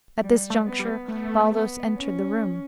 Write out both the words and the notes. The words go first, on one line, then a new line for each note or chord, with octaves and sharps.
At this juncture Baldos entered the room.
G3
A3
B3
G3
A3 B3
B3
C#4